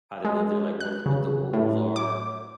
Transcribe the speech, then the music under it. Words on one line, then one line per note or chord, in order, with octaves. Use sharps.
how they lived there, like, what what the rules are,
G#3
F#6
C#3
A2
D6